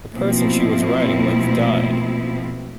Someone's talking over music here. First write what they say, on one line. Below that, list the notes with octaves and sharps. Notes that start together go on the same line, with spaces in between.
The person she was riding with died.
B2 F3 A3 A#3 C4 E4